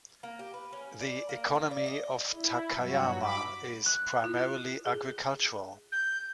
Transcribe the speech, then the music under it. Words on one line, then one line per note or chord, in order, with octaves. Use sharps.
The economy of Takayama is primarily agricultural.
A#3
G4
B4
C#4
D5
A#3
F4
D5
D#5
E4
G2 F#3 F#4
B5 D6
F#6
E4 F4
G#4
G6